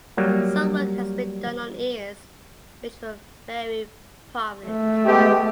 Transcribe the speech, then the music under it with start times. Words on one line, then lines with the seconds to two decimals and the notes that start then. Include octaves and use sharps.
Some work has been done on ears which were very prominent.
0.17 F#3 G3 A#3
4.67 A3
5.06 G#3 B3 G4